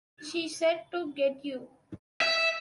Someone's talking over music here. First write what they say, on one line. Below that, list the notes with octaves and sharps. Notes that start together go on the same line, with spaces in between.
She said to get you.
E5